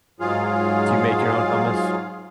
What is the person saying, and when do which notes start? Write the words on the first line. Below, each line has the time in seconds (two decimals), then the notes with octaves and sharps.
Do you make your own hummus?
0.20 G#2 F#3 F4 G#4 F5